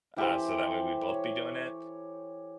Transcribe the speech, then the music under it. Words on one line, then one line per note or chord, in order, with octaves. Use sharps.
uh, so that way we'd both be doing it,
E3 G4 A4 C5
C#5